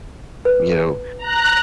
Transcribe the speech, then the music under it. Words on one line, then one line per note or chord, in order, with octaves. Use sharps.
you know
B4
A#5 F#6